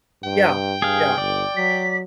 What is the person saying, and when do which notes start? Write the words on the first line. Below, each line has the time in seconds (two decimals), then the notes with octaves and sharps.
Yeah, yeah.
0.24 G2 G5
0.82 G2 G#4 F5
1.18 G1 D5
1.57 F#3 B6